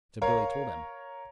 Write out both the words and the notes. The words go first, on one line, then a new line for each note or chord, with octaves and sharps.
So Billy told him.
A#4 C#5 F5 A#5